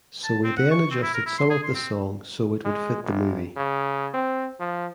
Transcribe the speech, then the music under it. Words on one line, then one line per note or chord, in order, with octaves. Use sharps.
So we then adjusted some of the song so it would fit the movie.
A5
C4
F#5
C#6
C4
E4
A#4
E4
C6
G#4
C6
C4
G#3
G1
C#3
C4
F3